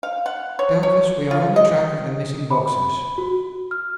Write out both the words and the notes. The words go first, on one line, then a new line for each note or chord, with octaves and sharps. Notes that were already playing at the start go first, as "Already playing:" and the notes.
Doubtless we are on the track of the missing boxes.
F5
F#5
C#5
C#5
F4
D#5
B5
F#4
F6